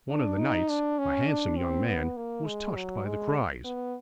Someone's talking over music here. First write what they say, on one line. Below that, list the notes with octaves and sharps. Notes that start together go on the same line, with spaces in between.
One of the knights, a handsome young man, was touched by the cries.
D4
D#4
D4
C#4
D4
C4
B3
A#3
G#3
F#3
G#3
B3